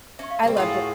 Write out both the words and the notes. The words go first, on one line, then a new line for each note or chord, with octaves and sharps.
I loved it
C#4 E5 C#6
F5
C#3 G3 C4 A#4
A2 F4 F#4 G#4 F5 G5 C6